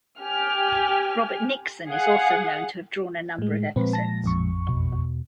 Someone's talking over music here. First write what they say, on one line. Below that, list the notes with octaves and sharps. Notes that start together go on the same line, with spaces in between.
Robert Nixon is also known to have drawn a number of episodes.
G4 G#5 F6
G#4 F5 F#5
A2 G#3
A#2 F3 G#3 C4 B4
A5 A#6
A1 F2 C#6
E2 B2